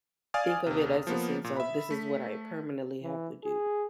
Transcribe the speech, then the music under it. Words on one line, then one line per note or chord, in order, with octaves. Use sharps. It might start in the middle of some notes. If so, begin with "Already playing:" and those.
think of it as a sense of, “This is what I permanently have to do,”
D5 F5 G#5 D#6 F6 A6
D#2 C3
F3 A#3 B3
A#2
E5 B5
A3 B6
E3
G#4